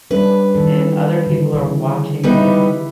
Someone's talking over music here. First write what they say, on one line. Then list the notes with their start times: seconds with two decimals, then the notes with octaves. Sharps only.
and other people are watching this,
0.11 G3 C#4 D4 B4
0.55 D#3 E3 A4
1.27 D3
1.54 C#3 E3
2.24 G3 B3 D#4 E4 G4 B4